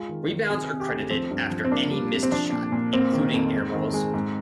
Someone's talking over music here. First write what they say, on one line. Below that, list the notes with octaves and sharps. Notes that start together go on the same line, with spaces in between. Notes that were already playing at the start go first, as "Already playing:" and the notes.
Rebounds are credited after any missed shot, including air balls.
Already playing: G#3 F4
D#3
D#3
C3 G#4
C3
G4
D2
F3 C4
G2
F3
C4
A#3 D4
G3
C3
C4
F3 D4
A#2
A#2
A#3 C4
D#3
F2
G#2
D#3
G#3
G#2